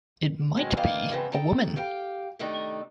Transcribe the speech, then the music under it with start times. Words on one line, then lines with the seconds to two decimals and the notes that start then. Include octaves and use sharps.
It might be a woman.
0.57 B2 D#3 G#3 A3 C4 C#4
0.77 D3 E3 A#3 D#5 F5 G5
1.11 E2 G#2 C#3 E3 B3 C4
1.32 D#4 A4 G5
1.76 G4 F5 G5
2.39 C3 D#3 A3 D4 D#4